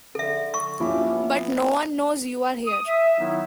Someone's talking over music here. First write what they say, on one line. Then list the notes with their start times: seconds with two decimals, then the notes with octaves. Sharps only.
But no one knows you are here.
0.15 D3 A4 E5
0.54 C#6
0.80 D2 A#2 F3 C#4 E4 G4
1.09 B3
2.66 D#6
2.87 E5
3.19 D#3 F#3 B3 D#4 E4